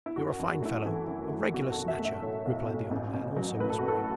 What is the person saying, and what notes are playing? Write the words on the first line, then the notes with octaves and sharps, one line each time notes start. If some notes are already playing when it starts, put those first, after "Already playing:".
You're a fine fellow, a regular Snatcher!' replied the old man, also whispering.
E4
F#2 F#4
F#2
A3 E4
F#4
E3 A4
F#2
F#2
B1 F#4
A4
B1
E5
A3
E5
A2 C#5
B1
B1
A1
A1
F#3
A2 B4
A4
A1 F#4
A4